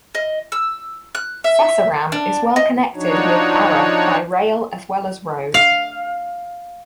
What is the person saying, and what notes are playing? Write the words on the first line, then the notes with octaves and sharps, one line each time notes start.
Sasaram is well connected with Ara by rail as well as road.
D#5
E6
F#6
E5
D4
D#5
F3 D4 D#4 F#4 C#5
F5